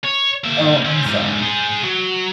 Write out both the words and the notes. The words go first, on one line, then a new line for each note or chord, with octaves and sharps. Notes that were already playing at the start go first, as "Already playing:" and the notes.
Oh, awesome.
C#5
A#3 E5
C4 C#4
G#2 D3
G#4 C5
F#3